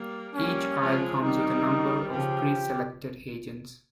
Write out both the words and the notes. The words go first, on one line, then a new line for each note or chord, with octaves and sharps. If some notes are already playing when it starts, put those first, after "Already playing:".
Each isle comes with a number of pre-selected agents.
Already playing: G3 A#3
G3 A#3 C#4
F3 G#3
D#3 G3 D#4
C#3 F3 G4